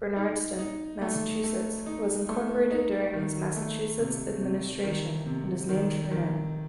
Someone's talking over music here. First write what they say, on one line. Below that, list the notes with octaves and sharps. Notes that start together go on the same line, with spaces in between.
Bernardston, Massachusetts was incorporated during his Massachusetts administration and is named for him.
D#4
D#4
A3
A3
D#4
A3
D#4
D#3
A3
C3
C3
D#3
C3
D#3
D#3